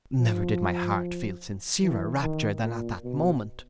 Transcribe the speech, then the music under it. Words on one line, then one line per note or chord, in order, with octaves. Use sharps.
Never did my heart feel sincerer rapture than at that moment.
F3
E3
D#3
A#2
B2